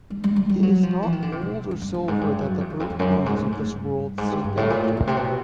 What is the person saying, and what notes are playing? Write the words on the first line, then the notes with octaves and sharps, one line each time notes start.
It is not gold or silver that the earthlings of this world seek after.
G3
G3
G3
G3
F#3
F3
E3
D#3
D3
C3
B2
G2
G2
G2
G#2
G2
F#2
F2
E2
F2
E2
F#2
G2
G#2
A2
G#2
G2
G#2
G2
G2
A2
A#2
A2
A#2
C3
B2